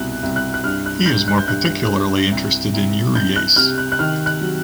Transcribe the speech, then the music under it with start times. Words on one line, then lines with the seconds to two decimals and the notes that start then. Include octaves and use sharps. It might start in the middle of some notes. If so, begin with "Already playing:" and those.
He is more particularly interested in urease.
Already playing: C2 B2 F#6
0.23 C2
0.36 F#6
0.54 F#6
0.64 G2 F6
0.86 F#6
1.06 G2 G6
1.28 F#6
1.38 G6
1.48 G2 F#6
1.90 G2
2.32 C2
2.74 C2
3.15 C2 G6
3.36 F#6
3.56 C3 F6
3.78 F#6
3.92 F#6
3.99 D#3 F6
4.26 F#6
4.41 F#3